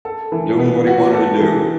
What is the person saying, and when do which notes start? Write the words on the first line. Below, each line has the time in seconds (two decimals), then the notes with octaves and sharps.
Doing what he wanted to do.
0.05 A4
0.32 E3
0.59 B3
0.87 F#4
1.13 A4
1.41 E3